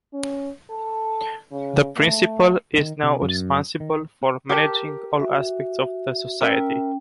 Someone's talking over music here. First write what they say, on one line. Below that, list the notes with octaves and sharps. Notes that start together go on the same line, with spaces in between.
The Principal is now responsible for managing all aspects of the Society.
C#4
A4
C#3
A3
D#3
C3
F#2
D#3
G4 A#4 A5
F#4 E5
C#4 A#4 E5 G5